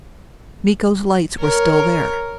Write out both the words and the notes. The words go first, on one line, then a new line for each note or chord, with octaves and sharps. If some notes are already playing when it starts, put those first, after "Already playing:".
Miko's lights were still there.
A#4 C#5